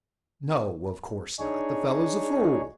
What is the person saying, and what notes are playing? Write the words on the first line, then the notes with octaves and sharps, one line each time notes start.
"No, of course not; the fellow's a fool."
D4 D#4 G#4 C#5